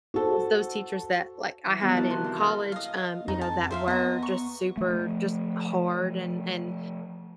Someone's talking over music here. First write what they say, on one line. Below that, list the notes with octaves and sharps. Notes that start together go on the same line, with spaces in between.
those those teachers that, like, I had in college, um, you know, that were just super just, hard and and
F#4 A4 C5
E3
D#3 G3 B3 F#4
E4 F#4 A#4 A5 D#6
C3 D#3 F3 C6 F#6
E3 C5 C6
F#3 A4 A#4 F5 F6
D#5 F5
F2 D#4
A5
C5 E5 F5
B3 D#5 A#5
C#6
F3 A3